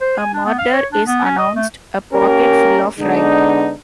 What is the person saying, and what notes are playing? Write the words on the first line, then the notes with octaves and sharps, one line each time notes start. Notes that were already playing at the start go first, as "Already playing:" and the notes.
"A Murder Is Announced", "A Pocket Full of Rye".
C5
G#5
D4
B3
F5
C#5
D4
B3
C#4
D#5
A3
A#3 C#4 G4 A#4
D3 G#3 B3 D4 D#4